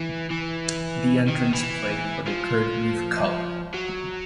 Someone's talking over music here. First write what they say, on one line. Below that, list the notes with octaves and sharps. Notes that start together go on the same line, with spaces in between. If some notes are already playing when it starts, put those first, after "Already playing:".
The entrants play for the Kurt Lief Cup.
Already playing: E3
E3
D#3
E3
F3
F#3